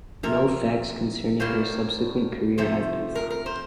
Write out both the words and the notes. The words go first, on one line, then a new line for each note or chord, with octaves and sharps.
No facts concerning her subsequent career have been found.
F2 C3 A#4
A2 G3 A#3 C5
F2 C3 F3 A3 C5
A#4
A#4
C5